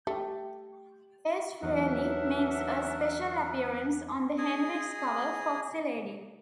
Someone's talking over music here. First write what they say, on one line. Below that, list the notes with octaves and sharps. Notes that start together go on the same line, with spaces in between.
Ace Frehley makes a special appearance on the Hendrix cover "Foxy Lady".
A3 G4
E2 F#3 B3 D4 D#4 A#4 E5 F#5
G#4 D#5 G#5 D#6